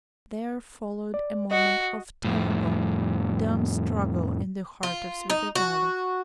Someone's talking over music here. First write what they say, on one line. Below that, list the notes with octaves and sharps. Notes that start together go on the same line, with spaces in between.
There followed a moment of terrible, dumb struggle in the heart of Svidrigailov.
D5
F#4 D#5
F2 A2
F4
D#4
F#4